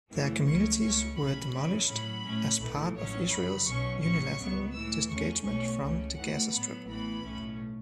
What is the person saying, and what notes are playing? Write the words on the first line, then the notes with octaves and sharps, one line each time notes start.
Their communities were demolished as part of Israel's unilateral disengagement from the Gaza Strip.
F#2 E3 A3 C#4
C#2 C#3 A3 C#4 C#6
C#2 C#3 A3 C#4 C#6
B1 A2 A3 C#4 B5
F#2 C#3 F#3 C#4
A2 F#3 C#4 B5
A2 A3 C#4
B1 A2 E3 A3
A1 A2 F#3 C#4 C#5
F#2 C#3 F#3 B5
B1 B2 F#3 C#4 C#6
A1 A2 F#3 C#4 C#6
C#2 C#3 F#3 B3
A2 E3 A3 E6
E2 C#3 A3 C#4 C#6
B1 B2 A3 C#4 C#6
C#2 C#3 A3 C#4
F#2 E3 A3 F#5
A2 F#3 B3 B5
A1 A2 E3 B3 B5
B1 A2 A3 C#4